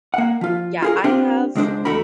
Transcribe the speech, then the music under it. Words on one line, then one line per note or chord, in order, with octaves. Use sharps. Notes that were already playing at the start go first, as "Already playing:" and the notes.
Yeah, I have
A#3 F#5
F3 F4
F4 G#4 A#4
C4 D4 F4 G4
C#2 G#3 D4 C5
E2 A3 F#4 A#4 B5